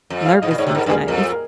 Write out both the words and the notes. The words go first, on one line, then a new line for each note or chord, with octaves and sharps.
nervous sometimes.
F2
F5
G#2 D#5
A#2
G#2 C#5
C3
G#2 A#4
G2
G#4
F2 A#4
A#4